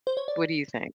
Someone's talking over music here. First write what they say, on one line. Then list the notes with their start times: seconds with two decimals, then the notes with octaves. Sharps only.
What do you think?
0.07 C5
0.17 C#5
0.28 D5